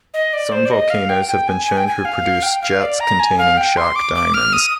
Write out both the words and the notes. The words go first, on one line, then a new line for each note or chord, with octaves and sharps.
Some volcanoes have been shown to produce jets containing shock diamonds.
D#5
D5
C5
D5
D#5
F5
G5
G5
G#5
G#5
G5
G#5
F5
G5
F5
D5
A#5
G#5
F5
G5
C6
D6
D6
F6
D#6